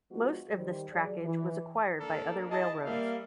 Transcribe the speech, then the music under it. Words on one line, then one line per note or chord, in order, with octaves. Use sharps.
Most of this trackage was acquired by other railroads.
F3 G#3 B3 D4 F4 F#4
D#3 G3 C5
F#3 G#4 D5
E3
A#3 D4 A4 A#4
E4 G#4 D#5 A5
G3 A#3 E5 F5